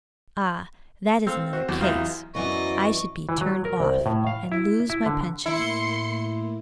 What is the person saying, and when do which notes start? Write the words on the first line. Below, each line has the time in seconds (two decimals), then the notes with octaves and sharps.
"Ah, that is another case; I should be turned off, and lose my pension."
1.27 C4 A4 F5
1.53 F#4 C5
1.68 E2 F#3 G4
1.81 E3 D#4 F4
2.35 F#2 E3 F#3 B3 D5 D#5 C#6
3.29 E3
3.41 F#3
3.65 A#4
3.80 C2
4.06 A2
4.27 F5
4.52 E4
4.90 E4
5.06 D3
5.46 A2 A#3 E4 C6 C#7